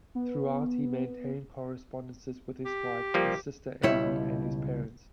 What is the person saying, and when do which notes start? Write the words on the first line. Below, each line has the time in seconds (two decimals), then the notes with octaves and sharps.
Throughout, he maintained correspondences with his wife, his sister Amy, and his parents.
0.15 B3
2.66 G4
3.14 F3 G3 A#3
3.83 C#2 B2 G3 E4 C#5 E5